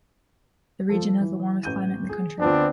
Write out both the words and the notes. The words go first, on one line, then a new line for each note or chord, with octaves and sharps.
The region has the warmest climate in the country.
F3 A4
E3
A1 G6 D#7
G#4
D2 B3 C4 D4 F4 A5